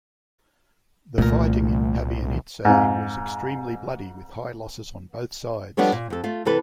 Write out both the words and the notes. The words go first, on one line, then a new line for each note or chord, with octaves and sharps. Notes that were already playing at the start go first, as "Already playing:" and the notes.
The fighting in Pabianice was extremely bloody, with high losses on both sides.
C2 A#2 E3 A3 A#4
F2 G#2
F3 G3 B3 D4 A4 C#5
A#2
F2 A4
A3 F4
C3 E3 A4 B4